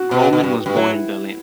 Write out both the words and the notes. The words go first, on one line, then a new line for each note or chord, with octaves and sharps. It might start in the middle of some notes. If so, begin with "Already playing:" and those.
Grolman was born in Berlin.
Already playing: F#4
B2
B2
G2
G2
F#3 E4